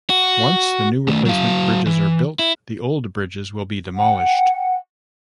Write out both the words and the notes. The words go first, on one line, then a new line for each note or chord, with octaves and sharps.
Once the new replacement bridges are built, the old bridges will be demolished.
F#4
D#3 A3
F#3 F5
E3
E4
F#5 G5